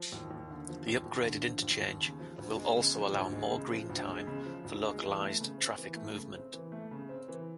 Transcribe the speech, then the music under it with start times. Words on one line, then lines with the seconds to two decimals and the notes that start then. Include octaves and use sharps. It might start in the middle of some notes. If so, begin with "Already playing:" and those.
The upgraded interchange will also allow more green time for localized traffic movement.
Already playing: F3
0.12 D#2
0.31 D#2
0.50 D3
0.69 F3
0.88 D#2
1.06 D#2
1.25 D3
1.44 F3
1.63 D#2
1.81 D#2
2.01 C#3
2.19 F3
2.38 D2
2.57 G#3
2.76 C#3
2.94 F3
3.14 D2
3.32 G#3
3.51 C#3
3.70 F3
3.90 D2
4.08 G#3
4.27 C#3
4.46 F3
4.65 D2
4.84 G#3
5.02 E3
5.21 A3
5.40 C#3
5.58 C4
5.77 E3
5.96 A3
6.15 C#3
6.34 C4
6.53 E3
6.72 A3
6.91 C#3
7.09 C4
7.28 E3